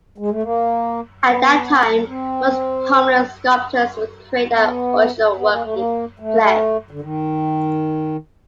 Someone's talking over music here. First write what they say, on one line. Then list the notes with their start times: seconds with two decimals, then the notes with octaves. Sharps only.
At that time most prominent sculptors would create their original work in clay.
0.18 G#3
0.31 A3
0.43 A#3
1.25 B3
2.08 C4
4.53 B3
5.36 B3
5.50 A#3
5.62 A3
5.74 A#3
6.19 A3
6.91 D3
7.01 D#3